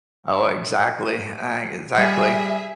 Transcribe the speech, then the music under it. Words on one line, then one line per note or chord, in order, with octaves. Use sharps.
Oh exactly, I exactly.
G3 G#4 E5